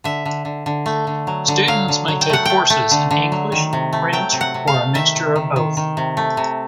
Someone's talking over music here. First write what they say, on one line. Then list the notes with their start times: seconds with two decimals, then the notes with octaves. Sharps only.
Students may take courses in English, French or a mixture of both.
0.04 D3 E5
0.25 D3
0.45 D3
0.66 D3
0.86 A3
1.07 D3
1.27 F#3
1.48 D3
1.67 F#3 F5
1.88 D3
2.08 F#3
2.21 G5
2.30 A3 F#5
2.45 A3 G5
2.70 A3
2.91 D3
3.11 D3
3.32 F#3
3.52 D#3
3.73 C3
3.93 A3
4.13 F#3 G5
4.33 C3
4.41 F#5
4.54 C3
4.67 F5
4.74 A3
4.94 D#3 E5
5.15 C3
5.36 D#3
5.56 D#3
5.77 D#3
5.97 C3
6.17 A3
6.37 C3